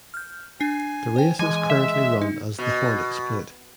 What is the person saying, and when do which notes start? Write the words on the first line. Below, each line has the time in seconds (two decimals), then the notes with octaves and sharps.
The race is currently run as the Horlicks Plate.
0.14 F6 G6
0.60 D4 G#5 C7
1.16 C5 G5
1.39 E3 G#3 G#5
1.70 E5
2.22 D#4
2.58 B2